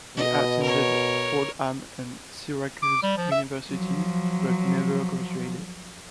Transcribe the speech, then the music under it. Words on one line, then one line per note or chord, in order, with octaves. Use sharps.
He attended Fordham and Syracuse Universities but never graduated.
B2 D#5
A#4 C#5
D6
G3
F3
E5
F3 F#3